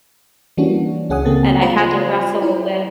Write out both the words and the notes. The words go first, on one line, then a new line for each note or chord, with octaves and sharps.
and I had to wrestle with
E3 G3 A#3 C#4 D4 F#4
C#2 C#4 G#4 F#5 G#5 D#6
C#3 A#3 C4 A4 A6
F4 C5 B5
E4 C5